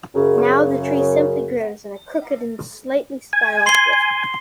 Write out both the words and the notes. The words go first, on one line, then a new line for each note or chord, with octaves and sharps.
Now the tree simply grows in a crooked and slightly spiral shape.
F#2 C#3
G#5
C6 C7 G7